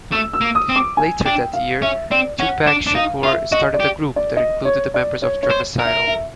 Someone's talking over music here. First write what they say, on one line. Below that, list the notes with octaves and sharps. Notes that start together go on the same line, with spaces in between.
Later that year, Tupac Shakur started a group that included the members of Dramacydal.
A3 E6
E6
A#3
D#6
C4
D6
G#5
D4 G5
F5
C#4 E5
C4 D5
C#4 F#5
D4
D4
D#4 F5
F4 E5
F#4 D#5
D5
G4
D5
D#5
C#5
D5
C#5
C#5
C5
A#4
E5
E5